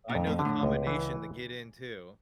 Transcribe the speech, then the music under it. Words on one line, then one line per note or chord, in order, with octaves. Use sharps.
I know the combination to get in too.
A#2
F2
A2
D3
A2
C#2
E3